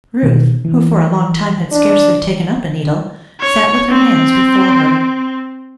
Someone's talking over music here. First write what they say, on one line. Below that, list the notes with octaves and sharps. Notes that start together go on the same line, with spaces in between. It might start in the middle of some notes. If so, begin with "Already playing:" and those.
Ruth, who for a long time had scarcely taken up a needle, sat with her hands before her.
B2 D#3
E3
D4
C#5
C4